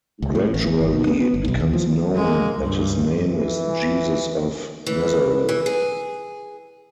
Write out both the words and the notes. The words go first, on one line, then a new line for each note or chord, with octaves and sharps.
Gradually, it becomes known that his name is Jesus of Nazareth.
C#2
A2
A1
E2
G1
B2
B3
B3
G1
B1
D#2
F3
G#3 A#3
C#2 G2
E3
E3
E3
G#4